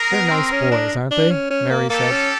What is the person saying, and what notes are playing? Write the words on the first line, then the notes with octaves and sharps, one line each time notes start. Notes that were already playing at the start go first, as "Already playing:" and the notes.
"They're nice boys, aren't they?" Mary said.
Already playing: G#4 A#4
B3
C4
C#4
D4
D4
C#4
C#4
A#3
A#3 G4 A4
C#4